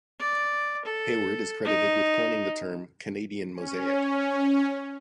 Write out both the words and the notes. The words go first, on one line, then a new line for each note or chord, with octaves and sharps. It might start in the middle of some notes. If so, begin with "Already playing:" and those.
Hayward is credited with coining the term "Canadian mosaic".
D5
A4
D#4
C#4